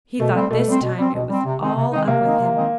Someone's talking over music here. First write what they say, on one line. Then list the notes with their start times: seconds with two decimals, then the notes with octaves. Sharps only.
He thought this time it was all up with him.
0.20 B2 A3
0.35 G3 C4
0.50 B2 A3
0.67 G3 C4
0.82 B2
0.98 G3 C4
1.14 B2
1.29 G3 C4
1.45 C3
1.60 D#3 G#3 C4 D#4
1.76 C3
1.92 D#3 G#3 C4 D#4
2.08 C3 A#3
2.23 D#3 G#3 C4 D#4
2.40 C3
2.55 D#3 G#3 C4 D#4